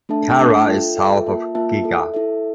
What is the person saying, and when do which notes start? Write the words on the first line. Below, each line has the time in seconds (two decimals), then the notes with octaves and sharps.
Cara is south of Gigha.
0.09 A3 D4 A4 E5 A5
0.38 A3 D4 A4 E5 A5
0.67 F4 A4 E5 G5
0.97 F4 A4 E5 G5
1.26 A#3 F4 A#4 E5 A5
1.55 A#3 F4 A#4 E5 A5
1.84 E4 A4 E5
2.14 E4 A4 E5